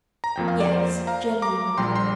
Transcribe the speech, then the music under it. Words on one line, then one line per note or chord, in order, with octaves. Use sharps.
Yes, Jem knew her.
A#5
F2 F3 A#3 G5
F5
D5
C5
F5 A#5
A#5 D6
A#1 A#2 G3 G5 C6
G5 C6